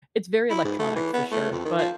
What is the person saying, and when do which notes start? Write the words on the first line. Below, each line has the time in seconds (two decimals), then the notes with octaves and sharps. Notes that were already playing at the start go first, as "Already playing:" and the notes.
it's very electronic for sure, but
0.50 E4
0.65 G#2
0.79 A3
0.96 E3
1.13 B3
1.32 A3
1.52 F2
1.65 D#3
1.78 F3